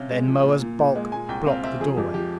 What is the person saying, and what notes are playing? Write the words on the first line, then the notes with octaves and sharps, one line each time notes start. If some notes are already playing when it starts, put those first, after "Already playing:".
Then Moa's bulk blocked the doorway.
Already playing: C3 C#4 F5
G#3
F3
A#2
A#2
A#2
G#3
A#2 G#5
C2 G5
C4 F5
C4 E5
F3 G#4
F2 G4
F3 G4